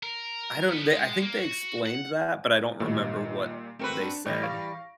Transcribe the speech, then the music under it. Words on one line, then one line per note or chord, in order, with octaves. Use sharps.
I don't they I think they explained that, but I don't remember what they said.
A#4
F3 B3
G#3
A#3
F#4
F#5
D#2 A#2 G3
A3 C4 F#4 A#4 B4
D4
A2 E3 G3 A#6
F5 C#6 D7